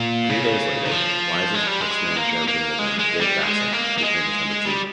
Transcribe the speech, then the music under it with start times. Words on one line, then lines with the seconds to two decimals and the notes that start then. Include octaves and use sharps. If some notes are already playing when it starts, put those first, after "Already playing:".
Three days later, Wise's ex-manager at Wimbledon, Dave Bassett, became his number two.
Already playing: A#2
0.29 C#3
0.86 D#3
0.92 F3
1.54 G#3
1.67 G3
1.81 G#3
2.16 A#3
2.48 A#3
2.79 G#3
3.00 G#3
3.21 G3
3.42 G#3
3.73 A#3
3.98 A#3
4.04 G#3
4.65 G3